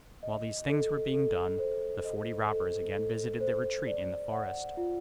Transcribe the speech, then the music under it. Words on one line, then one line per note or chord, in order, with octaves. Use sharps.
While these things were being done, the forty robbers again visited their retreat in the forest.
D#5
A4
A4
C5
D#5
A4
A4
C5
D5
F#5
F4